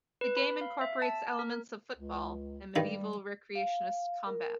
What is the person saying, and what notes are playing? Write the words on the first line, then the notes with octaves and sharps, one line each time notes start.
The game incorporates elements of football and medieval recreationist combat.
B4
B5
F5
E5
A5
A#4
C#2
G2 D#3 G3 B5
F5
A#4